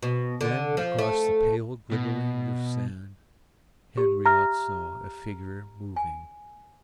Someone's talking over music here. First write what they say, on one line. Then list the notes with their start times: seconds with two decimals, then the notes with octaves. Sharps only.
Then, across the pale glimmering of sand, Henriot saw a figure moving.
0.03 B2
0.41 D3
0.77 F3
0.99 A3
1.92 B2
3.97 G4
4.26 E5 A#5 F6
5.96 G#5